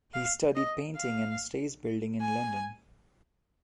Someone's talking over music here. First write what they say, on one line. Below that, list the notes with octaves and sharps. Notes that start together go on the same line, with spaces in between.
He studied painting and stage building in London.
F5
D#5
F5
G#5